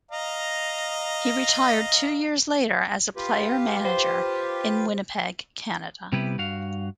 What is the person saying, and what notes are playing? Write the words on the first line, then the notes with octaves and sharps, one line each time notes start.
He retired two years later as a player-manager in Winnipeg, Canada.
D#5 F5 A#5
F4 G4 B4
C5
C3 G3 B3 E4 G4 B4
G2 F#4 F5